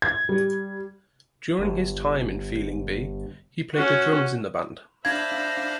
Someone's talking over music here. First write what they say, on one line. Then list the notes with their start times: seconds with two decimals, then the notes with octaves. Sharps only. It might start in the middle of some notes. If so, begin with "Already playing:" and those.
During his time in Feeling B, he played the drums in the band.
0.02 G#6
0.29 G3
1.59 G1
3.75 C#4 F#4
5.05 D4 C5 E5 F5 B5 G#6 A#6